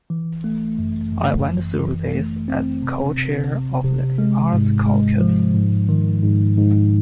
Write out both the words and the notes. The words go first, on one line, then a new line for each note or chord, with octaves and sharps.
I went through this as co-chair of the Arts Caucus.
E3
A3
F#2
F#2
E3
E3
A3
C4
C3
C3
C3
C3
G#3
G#2
G#3
F3
G#2
D#3
G#2
G#2